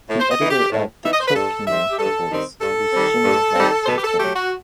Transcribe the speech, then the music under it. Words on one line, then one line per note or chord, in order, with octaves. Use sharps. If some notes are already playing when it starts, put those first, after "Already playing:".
The editor of "The Kilkenny Voice" was Jimmy Rhatigan.
A2
C5
D#5
E3 B3 D#4
G4
A2
E3 B3 D#4 E5
D#5
C5
B4
G2 A4
D#3 G3 C4 E5
G4
G2 A4
D#3 G3 C4
G2 A4
D#3 G3 C4
G2
D#3 G3 C4
C5
B2 B4
G4
A4
F#3 A3 G4
F#4